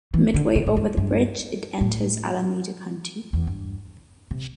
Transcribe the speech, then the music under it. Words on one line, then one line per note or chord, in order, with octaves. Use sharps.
Midway over the bridge, it enters Alameda County.
E3
D3
C3
A2
G2
G2
A2
E2
G2
C3